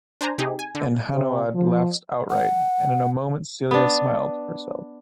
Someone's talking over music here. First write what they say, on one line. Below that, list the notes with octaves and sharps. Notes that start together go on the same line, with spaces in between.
And Hanaud laughed outright, and in a moment Celia smiled herself.
D4 C5 G#5 A#5
C3 D#4 G4 G#4
G#5
D3
C3
F3
F#5
B3 D4